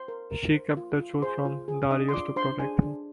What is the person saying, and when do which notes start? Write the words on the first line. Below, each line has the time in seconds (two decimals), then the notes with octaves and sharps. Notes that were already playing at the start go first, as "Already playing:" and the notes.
She kept the truth from Darius to protect him.
Already playing: C5 C6
0.08 A#4
0.31 A#4
0.54 C5
0.77 F4
1.00 F4
1.22 G#4 C5 C6
1.45 F4
1.68 G#4
1.91 D4 D#5 D#6
2.09 C6
2.14 F4 D5 D6
2.36 D4 C5 C6
2.59 D4 G#4 G#5
2.82 D4